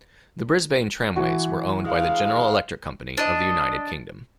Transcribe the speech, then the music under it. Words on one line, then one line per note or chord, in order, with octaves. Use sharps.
The Brisbane tramways were owned by the General Electric Company of the United Kingdom.
E3 F#4
G2 G#3 F5
D4 D#5